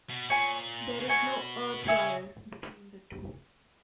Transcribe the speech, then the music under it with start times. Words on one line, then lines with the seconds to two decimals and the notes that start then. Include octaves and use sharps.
There is no 'earth wire' between the two.
0.10 B2
0.30 A#2 C#5 G#5 C#6
1.00 C#3
1.08 B2 C#5 G#5 C#6
1.84 B2
1.87 C#3 C#5 E5 G#5 D#6